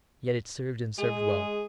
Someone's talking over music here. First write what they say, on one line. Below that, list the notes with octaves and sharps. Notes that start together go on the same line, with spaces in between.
Yet it served and served well.
G#3 G#4